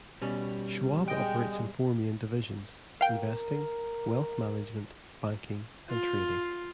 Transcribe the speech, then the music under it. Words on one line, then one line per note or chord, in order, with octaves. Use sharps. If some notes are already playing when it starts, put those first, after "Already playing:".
Schwab operates in four main divisions: investing, wealth management, banking, and trading.
B2 G3 C#4
G#3 D#5 G5
A#4 F5 G5
F4